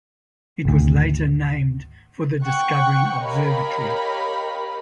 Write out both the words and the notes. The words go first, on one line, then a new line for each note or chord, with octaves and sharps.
It was later named for the discovering observatory.
G#1 D2
F#5 G5 C#6 F#6
G4 A#4 C#5 D#5 F5 B5